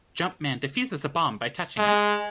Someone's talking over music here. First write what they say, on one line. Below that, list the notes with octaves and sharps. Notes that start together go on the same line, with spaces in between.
Jumpman defuses a bomb by touching it.
G#3